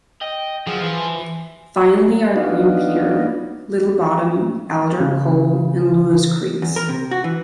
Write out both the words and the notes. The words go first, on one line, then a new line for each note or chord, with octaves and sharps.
Finally are Green Peter, Little Bottom, Alder, Coal, and Lewis creeks.
D#5 G5
F#2 F3 F#4 G#4
E3 E5 G#5
B3 D4 D#4 F4 F#4
C#3
E2
A#4
C3
F#4
E3